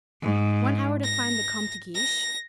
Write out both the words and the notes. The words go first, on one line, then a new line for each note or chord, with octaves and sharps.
"One hour to find the Comte de Guiche."
G#2
A#6
A#6